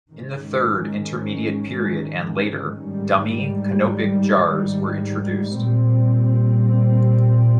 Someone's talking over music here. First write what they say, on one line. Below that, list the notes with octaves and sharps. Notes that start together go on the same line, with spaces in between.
In the Third Intermediate Period and later, dummy canopic jars were introduced.
G#2 D#3 G#3 C#4
G#2 D#3 G3
A#2 G3 C4